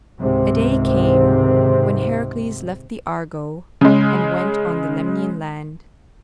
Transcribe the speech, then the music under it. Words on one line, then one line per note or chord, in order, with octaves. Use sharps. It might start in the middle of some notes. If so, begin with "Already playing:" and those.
A day came when Heracles left the Argo and went on the Lemnian land.
C#2 G#2 C3 D#3 C4
C#3 G#3